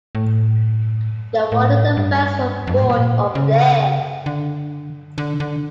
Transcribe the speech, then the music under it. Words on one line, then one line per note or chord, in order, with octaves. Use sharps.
No wonder the fans are bored over there.
A2
A2
G2
F2
G2
A2
A#2
C#3
D3
D3
D3